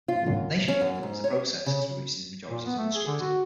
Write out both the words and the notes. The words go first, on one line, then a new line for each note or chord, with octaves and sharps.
Nation-building is the process through which these majorities are constructed.
F4
F#2
C#4
F#2
G#2
C#5
C#3
A#2
B3
A3
G#4
D3
F#4